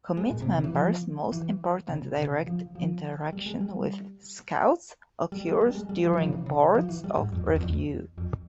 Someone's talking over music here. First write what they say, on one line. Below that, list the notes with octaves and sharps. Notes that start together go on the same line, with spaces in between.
Committee members most important direct interaction with Scouts occurs during boards of review.
G#3
A#2
C3
C#3
E3
F3
E3
C#3
C#3
F3
F3
G3
G#3
G3
G3
G3
G3
G#3
G3
F3
E3
F3
C#3
E3
C#3
F3
E3
G3
G#2
F2
E2
F2
E2
F2